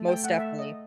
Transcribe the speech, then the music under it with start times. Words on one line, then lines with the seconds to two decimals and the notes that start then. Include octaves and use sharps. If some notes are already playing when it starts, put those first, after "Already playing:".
Most definitely.
Already playing: A3
0.08 G5
0.24 F#5
0.38 E5
0.59 D#5